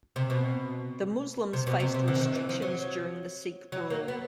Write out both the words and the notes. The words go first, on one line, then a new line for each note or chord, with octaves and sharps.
The Muslims faced restrictions during the Sikh rule.
C3
B2
C3
B2
C3
C3
D3
E3
D#3
E3
F3
F#3
F#3
A#3
B3